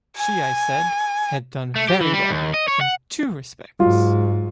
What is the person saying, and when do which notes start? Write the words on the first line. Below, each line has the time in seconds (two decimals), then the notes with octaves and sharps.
She I said had done very wrong in two respects.
0.17 G#5
1.76 A3
1.89 G4
2.01 E3
2.13 G3
2.30 D#2
2.54 D#5
2.68 C#5
2.81 F#5
3.79 G#2 F#3 F4